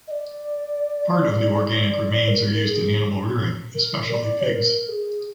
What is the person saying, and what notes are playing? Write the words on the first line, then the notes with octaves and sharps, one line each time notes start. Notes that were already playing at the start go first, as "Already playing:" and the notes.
Part of the organic remains are used in animal rearing, especially pigs.
D#5
D5
D5
A#4
G#4
A#4
D5
A#4
A#4
G#4